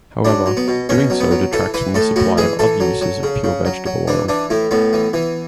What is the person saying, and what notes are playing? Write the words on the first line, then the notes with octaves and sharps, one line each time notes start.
However, doing so detracts from the supply of other uses of pure vegetable oil.
F#3 D4
F#3
B3
B2
B2 C#4
F#3
B3
F#3
E3 A4
E3 B4
A2 A4
A2 F#4
E3 G#4
E3 A4
F#3
F#3
C#3
C#3
F#3
F#3
E3 D4
E3 D4
A2 E4
A2 B3
E3
E3